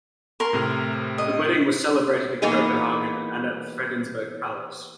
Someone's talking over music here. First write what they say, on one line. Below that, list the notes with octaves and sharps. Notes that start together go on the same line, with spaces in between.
The wedding was celebrated in Copenhagen and at Fredensborg Palace.
A#4 C6
A2 C3 F6
D#5
E3 A#3 B3 D#4 G#4